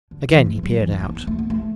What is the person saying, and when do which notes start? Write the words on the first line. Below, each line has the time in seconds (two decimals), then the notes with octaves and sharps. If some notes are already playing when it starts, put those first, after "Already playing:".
Again he peered out.
0.11 D3
0.29 E3
0.46 A3
0.56 E3
0.63 F#3
0.80 E3
0.92 D4
1.00 B3
1.04 D4
1.15 B3
1.27 A3
1.39 B3
1.50 A3